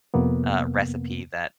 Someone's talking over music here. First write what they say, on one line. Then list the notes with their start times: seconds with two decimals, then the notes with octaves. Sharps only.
uh, recipe that
0.14 F2 C3 A#3 B3